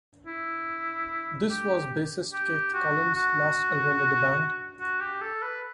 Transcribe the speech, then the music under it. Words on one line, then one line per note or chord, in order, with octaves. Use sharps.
This was bassist Keith Collins's last album with the band.
E4
G4
G4
F#4
F#4
F#4
G4
A4
B4